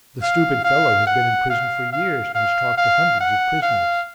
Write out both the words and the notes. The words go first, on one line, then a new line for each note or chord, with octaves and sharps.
The stupid fellow has been in prison for years and has talked to hundreds of prisoners.
F5
F5
F#5
F5
F5
F5
F5
F#5
F5